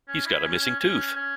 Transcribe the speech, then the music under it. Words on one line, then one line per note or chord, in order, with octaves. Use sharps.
He's got a missing tooth!
C#4
E4
C#4
C#4
C#4
C#4